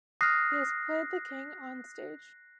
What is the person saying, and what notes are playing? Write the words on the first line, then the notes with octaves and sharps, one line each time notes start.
He has played the king on stage.
D#6 F6 F#6 A#6 C7